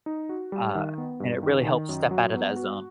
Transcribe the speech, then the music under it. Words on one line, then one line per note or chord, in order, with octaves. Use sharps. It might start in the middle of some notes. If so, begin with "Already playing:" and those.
Uh, and it really helps step out of that zone.
D#4
F#4
G3
D#3
B3
G2
D#3
D#3
F#2
F#3
B3
F#4